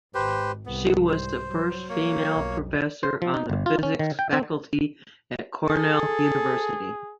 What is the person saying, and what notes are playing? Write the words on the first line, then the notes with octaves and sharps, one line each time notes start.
She was the first female professor on the physics faculty at Cornell University.
G#1 G4 B4 C5
C2 G#2 B3
C5
F#3
A#3 C#5
B1 F2
C5
F3
D#4
G1
F4
C#4
D#3
G5
C4
G#4 A4